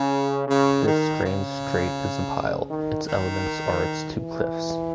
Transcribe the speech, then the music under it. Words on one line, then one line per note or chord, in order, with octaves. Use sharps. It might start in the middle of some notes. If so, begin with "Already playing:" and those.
This strange strait is a pile; its elements are its two cliffs.
Already playing: C#3
C#3
D#3
C#3
D#3
D#3
E3